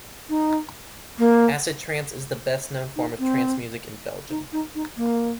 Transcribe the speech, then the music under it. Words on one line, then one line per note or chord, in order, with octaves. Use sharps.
Acid trance is the best known form of trance music in Belgium.
D#4
A#3
D#4
C4
D#4
D#4
D#4
A#3